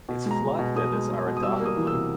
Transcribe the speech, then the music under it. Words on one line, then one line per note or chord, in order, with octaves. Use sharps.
Its flight feathers are a darker blue.
B2
G#3
A#5
G#3
B2
B2 D#6
G#3
G#3
B2
D#6
G3 E6
A#3
D#6
E3
E6
C3